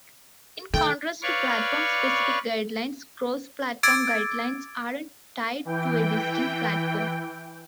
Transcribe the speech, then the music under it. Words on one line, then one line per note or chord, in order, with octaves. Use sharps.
In contrast to platform-specific guidelines, cross-platform guidelines aren't tied to a distinct platform.
D#3 A3 G5
B4 C#5 D5 F5 C#6
D6 E6 G#6 A6 D7
E3 G5